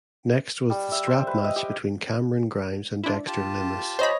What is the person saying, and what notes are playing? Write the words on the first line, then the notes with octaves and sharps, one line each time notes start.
Next was the strap match between Cameron Grimes and Dexter Lumis.
G3
E5
C5
B4
D#5
G4
D4 E4 F4
F4 G4 A5
C5 C#5 D#5 B5